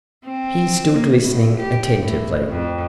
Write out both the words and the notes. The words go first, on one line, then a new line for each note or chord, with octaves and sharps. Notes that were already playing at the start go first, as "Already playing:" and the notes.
He stood listening attentively.
C4
A#3
A2
G4
A2
F2